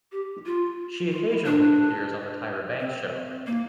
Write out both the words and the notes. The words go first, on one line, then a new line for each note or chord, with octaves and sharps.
She occasionally appears on "The Tyra Banks Show".
G4
F4
F4
E4
D4
C4
A#3